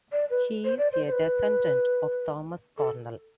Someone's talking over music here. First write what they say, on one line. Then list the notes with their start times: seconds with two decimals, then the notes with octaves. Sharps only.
He is a descendant of Thomas Cornell.
0.12 D5
0.30 B4
0.64 C5
0.78 D5
0.93 C5
1.07 C5
1.12 B4
2.78 A4